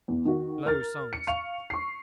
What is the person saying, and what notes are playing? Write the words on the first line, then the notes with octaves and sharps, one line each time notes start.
Low songs.
E2
D#3 F#4
A#4 F6 A6
C#7
F5 C#6 C#7 F7
C#6 C7